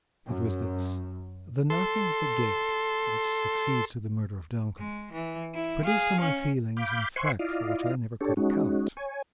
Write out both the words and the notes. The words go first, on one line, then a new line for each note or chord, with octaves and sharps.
It was this: the knocking at the gate, which succeeds to the murder of Duncan, produced to my feelings an effect for which I never could account.
F#2
A4 C6
G#3
E3
E4
G#4 F5
C#4
F5 B5 D6 G6
C5 E5 F#5 G#5 C6 C#6
E4 F4 D5 D#5 F5
D4 G4 A4 C#5
G#3 C#4 D#4 F#4
C#5 G#5